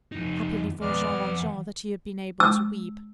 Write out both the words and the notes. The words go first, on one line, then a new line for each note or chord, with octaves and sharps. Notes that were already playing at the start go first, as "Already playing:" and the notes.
Happily for Jean Valjean that he had been able to weep.
F2 D#4
F2 G#3 B3 D5 F6
F2 F#5
E6